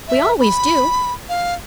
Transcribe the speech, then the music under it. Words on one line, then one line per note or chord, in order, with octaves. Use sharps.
We always do.
E5
B5
F5